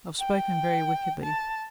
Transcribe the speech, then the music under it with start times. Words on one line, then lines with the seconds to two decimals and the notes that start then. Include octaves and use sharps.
I've spoken very wickedly.
0.19 G5
1.23 A5